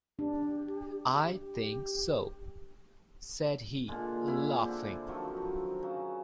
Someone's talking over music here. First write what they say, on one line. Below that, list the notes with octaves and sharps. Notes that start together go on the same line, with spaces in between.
"I think so," said he, laughing.
D4 G4
G4
A#2 D3 G#3 A#3
G#3 E4 D5 F#5
D3 C4
D3 D#3 F3 F#3
F#3
C#3 F#3